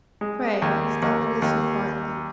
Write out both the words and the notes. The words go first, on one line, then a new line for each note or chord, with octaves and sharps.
Pray, stop and listen quietly.
G#3
D#2
D#2
D#2